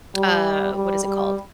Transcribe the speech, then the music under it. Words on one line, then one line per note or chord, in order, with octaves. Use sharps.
a, what is it called?
G3
G3
G3